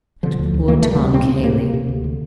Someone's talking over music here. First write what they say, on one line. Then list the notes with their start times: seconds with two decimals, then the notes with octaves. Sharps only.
And poor Tom Cayley!
0.23 D3 F3
0.39 D2
0.54 D2
0.68 D2 A#3
0.82 C3 A3
0.91 G3
0.99 D2
1.13 C3 C4
1.28 D2 C4
1.43 C3 A#3
1.59 C3
1.74 C3
1.88 D2
2.04 D3